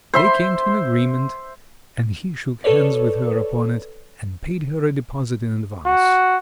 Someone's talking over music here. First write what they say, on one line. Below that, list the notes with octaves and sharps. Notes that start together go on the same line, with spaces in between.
They came to an agreement, and he shook hands with her upon it, and paid her a deposit in advance.
C5 E5 C6
A4 B4 C#5 D5
F#4